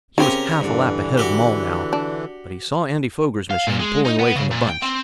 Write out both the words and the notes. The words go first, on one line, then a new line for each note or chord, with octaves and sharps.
He was half a lap ahead of them all now. But he saw Andy Foger's machine pulling away from the bunch.
C#3 C4 C#4 G4 A#4
G2 D3 E3
F#4 G4
D4
F5
A#2
G#3
D#4
B3
C#3
A#2
G5
C4